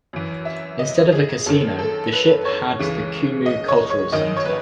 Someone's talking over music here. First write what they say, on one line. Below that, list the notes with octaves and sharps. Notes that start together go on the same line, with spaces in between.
Instead of a casino, the ship had the Kumu Cultural Center.
F#2 E3
E5
D#5
G#4
F#2 D#3 A4
A4
B4
C#5
C#2 C#3 E3
D#5
C#5
C#5
F#2 D#3 D#5
C#5
B4